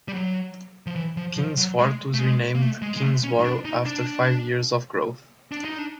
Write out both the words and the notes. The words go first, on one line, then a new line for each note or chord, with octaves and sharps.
Kings Fort was renamed Kingsboro after five years of growth.
G3
F#3
F3
E3
F3
F3
F#3
G#3
A3
G#3
A#3
A3
G#3
G#3
A3
C#4
D#4
D4
D#4
D4
D4
D#4
D4